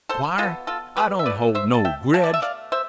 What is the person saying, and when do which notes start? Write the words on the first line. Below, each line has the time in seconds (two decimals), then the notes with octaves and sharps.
Squire, I don't hold no gredge.
0.09 A4 C5
0.38 B2 F4 A4
0.43 B3
0.67 F4 A4
0.96 G4 B4
1.19 E5
1.26 B2 A3 B4 D5
1.55 C5 E5
1.74 A5
1.85 E5 G5
2.13 B2 A3 F5 A5
2.24 D5
2.34 E5
2.42 D5 F5
2.72 C5 E5